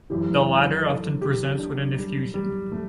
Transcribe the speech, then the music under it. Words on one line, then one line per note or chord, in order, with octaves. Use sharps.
The latter often presents with an effusion.
F#2 E3 G4
A4
G4
D4
G3
G3
A3